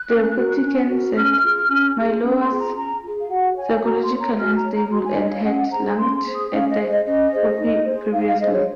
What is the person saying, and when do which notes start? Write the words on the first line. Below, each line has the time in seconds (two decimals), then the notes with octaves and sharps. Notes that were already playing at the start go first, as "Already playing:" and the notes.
The Vatican said Maiolo was "psychologically unstable" and had lunged at the Pope previously.
Already playing: F#6
0.08 C#4
0.35 F#4 A#4
0.61 C#4
0.89 F#4 A#4
1.15 C#4 F6
1.42 F4 G#4
1.69 C#4
1.95 F4 G#4
2.23 C#4
2.40 C6
2.49 F4 G#4
2.58 A#5
2.76 C#4 A#5
3.02 F4 G#4
3.20 F5
3.29 F#4 F#5
3.56 C#5 G#5
3.83 F#4 A#5
4.01 C6
4.11 C#5
4.19 A#5
4.37 F#4 F6
4.55 A#5
4.64 C#5
4.73 A#5
4.90 F#4 C6
5.04 G#5
5.17 C#5 D#5
5.30 F5
5.44 C#4 F#5
5.70 G#4 C5 A#5
5.98 C#4 C6
6.25 G#4 C5
6.34 D#6
6.51 C#4 F5
6.69 D#5
6.79 G#4 C5
6.87 D#5
7.05 C#4 D#5
7.32 G#4 C5
7.59 D#4
7.85 G#4 C5
8.12 D#4 F5
8.26 F5
8.39 G#4 C5 D#5
8.53 C#5